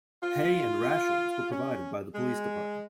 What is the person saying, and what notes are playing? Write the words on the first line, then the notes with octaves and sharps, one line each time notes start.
Pay and rations were provided by the police department.
F4
C#4
G#3